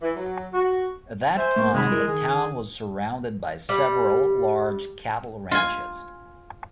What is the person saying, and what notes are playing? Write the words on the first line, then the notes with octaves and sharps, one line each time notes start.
At that time the town was surrounded by several large cattle ranches.
E3
F#3
F#4
C5 E5 G#5
A3 A#3
C3 D#3 G#3 B5
E4 A#4
D#3 G#4
G3
F4 G#5